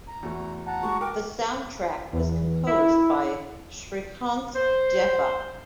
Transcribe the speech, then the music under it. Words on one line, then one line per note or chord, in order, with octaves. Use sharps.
The soundtrack was composed by Srikanth Deva.
A#5
E2 A3 F#4
F#5 A5 A#5
G#3 F#4 C#6
A#4 G5 D6
E2
E4
C5